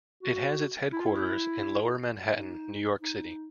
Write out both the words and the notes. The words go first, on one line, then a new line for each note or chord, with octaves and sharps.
It has its headquarters in Lower Manhattan, New York City.
F#4
E4
F4
E4
D#4
D#4